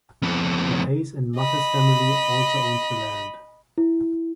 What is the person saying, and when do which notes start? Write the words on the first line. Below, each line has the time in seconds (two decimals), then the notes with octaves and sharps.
The Hayes and Mathis family also owns the land.
0.22 F2 B3
1.37 D#5 B5
3.78 E4